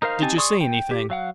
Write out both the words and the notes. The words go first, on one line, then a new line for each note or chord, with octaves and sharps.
'Did you see anything?'
D#4 A#4 C5 F5
C4 D#4 G4 G#5 A5
G#4 D5 C6 C#6 D#6
G5
G4
F#3 F5 F#5